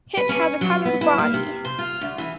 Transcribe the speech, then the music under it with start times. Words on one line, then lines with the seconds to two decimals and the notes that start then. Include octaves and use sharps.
Hit has a colored body.
0.17 B4
0.29 C#4
0.61 F#3
0.85 B3
1.01 E4
1.18 A#3
1.34 C3
1.65 C5
1.78 F4
2.01 D2
2.18 E3